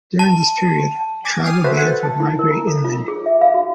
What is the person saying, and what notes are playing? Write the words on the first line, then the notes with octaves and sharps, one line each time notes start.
During this period, tribal bands would migrate inland.
A5
G#5 D6 G#6 A6
G5 G#5 D#6 F6 C7 D#7
F#4 A4 B4 C5 E5
F#5 G#5 A6
A5
E4
A#4
A#5
A4
F4
G#4
E5
F5
F#4